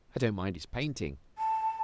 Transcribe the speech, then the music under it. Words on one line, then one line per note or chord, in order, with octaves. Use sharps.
I don't mind his painting.
A5